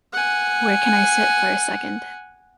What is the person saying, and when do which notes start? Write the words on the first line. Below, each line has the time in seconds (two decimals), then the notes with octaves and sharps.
Where can I sit for a second?
0.13 F#5 G#5